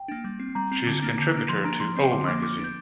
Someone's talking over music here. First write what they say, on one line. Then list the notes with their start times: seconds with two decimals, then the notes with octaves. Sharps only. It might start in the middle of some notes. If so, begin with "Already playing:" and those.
She is a contributor to "O Magazine".
Already playing: G5
0.08 A#3 D4
0.24 G3
0.40 C4
0.55 G3 A#5
0.72 C4
0.87 D3
1.02 A#3 D4
1.18 D3
1.34 A#3 D4
1.49 F3 C6
1.65 A#3 D4 A#5
1.80 F3 C6
1.97 C4
2.12 D3 C6
2.27 F3 A#3 D4 D6
2.43 F3 D6
2.59 D4 G6